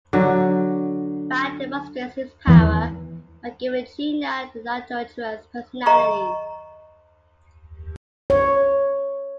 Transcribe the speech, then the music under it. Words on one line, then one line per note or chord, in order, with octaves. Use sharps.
Valle demonstrates his power by giving Gina the adulterous personality.
D3 F#3
E2 E3
D#5 A#5 C#6
C#5